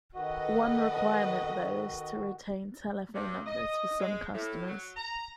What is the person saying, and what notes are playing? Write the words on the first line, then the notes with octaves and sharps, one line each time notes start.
One requirement though is to retain telephone numbers for some customers.
D#3 F#4 A4 B4 D#5
G2
D#5
G#3
A2
F#3
A#5